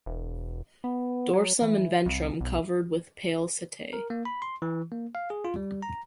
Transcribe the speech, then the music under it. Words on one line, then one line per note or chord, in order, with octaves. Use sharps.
Dorsum and ventrum covered with pale setae.
E1
B3
F#3
E3
C2
B1
A#4
A#3
B5
C6
E3
A#3
F5
G#4
F4
G3
A#5